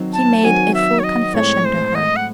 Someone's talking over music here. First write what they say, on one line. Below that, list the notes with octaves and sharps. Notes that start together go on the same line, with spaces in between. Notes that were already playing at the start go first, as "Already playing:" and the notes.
He made a full confession to her.
Already playing: D#3 F#3 C4 D#4
A5
D#3 F#3 C4 F#4 G#5
E5
C#5
D#5
A2 G#3 C4 C#5
C5
D#5
F#5